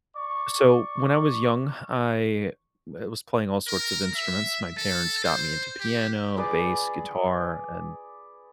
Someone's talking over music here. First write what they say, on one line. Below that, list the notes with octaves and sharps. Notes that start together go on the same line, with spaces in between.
so when I was young, I w was playing all sorts of instruments, my parents got me into piano, bass, guitar, and
D5 C#6
A#4
E5
A4
C5
G4
G#4 B4 D5